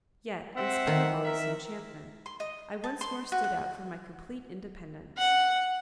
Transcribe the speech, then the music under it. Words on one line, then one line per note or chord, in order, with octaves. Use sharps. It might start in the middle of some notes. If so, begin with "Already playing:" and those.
Yet, in spite of all this enchantment, I once more stood out for my complete independence.
C4 E5 F#5
D#3
A#4 E5
C6
D#5
A5
C6
F#4
F#5
F#5